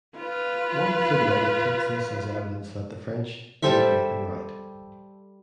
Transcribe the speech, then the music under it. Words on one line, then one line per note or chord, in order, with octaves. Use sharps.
One food writer takes this as evidence that the French "do bacon right".
F4 B4
G3 A4 C5 E5